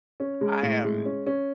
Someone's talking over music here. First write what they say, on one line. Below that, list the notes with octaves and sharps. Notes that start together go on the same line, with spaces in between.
I am
C#4
G#3
A2
G#3
C#4
C#4